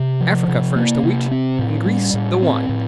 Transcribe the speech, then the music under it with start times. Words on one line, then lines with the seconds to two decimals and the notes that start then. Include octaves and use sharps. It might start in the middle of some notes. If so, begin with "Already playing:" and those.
Africa furnished the wheat, and Greece the wine.
Already playing: C3
0.21 F3
0.48 C3
0.76 A#3
1.03 C3
1.31 C4
1.59 A2
1.86 G3
2.14 A2
2.42 C4
2.69 A2